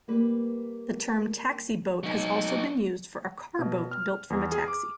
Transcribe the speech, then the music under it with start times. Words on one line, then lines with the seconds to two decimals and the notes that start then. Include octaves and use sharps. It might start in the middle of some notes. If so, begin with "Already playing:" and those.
The term taxi-boat has also been used for a car-boat built from a taxi.
0.08 G3 A#3 B4
2.03 F#3 D#4
3.59 B2
3.91 F6
4.30 E2
4.52 G#4
4.68 D6